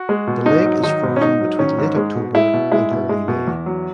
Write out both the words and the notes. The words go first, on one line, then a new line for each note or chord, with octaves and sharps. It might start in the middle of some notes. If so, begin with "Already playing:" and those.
The lake is frozen between late October and early May.
Already playing: F#4
G#3
B2
G#2 D#4
F#3
D#3 D#4
G#2
C#4
G#2 D#4
F#3
D#3 C#4
G#2
G#3
B2
G#3 E4
B2
G#3 E4
B2
G#3
B2
E2
F#3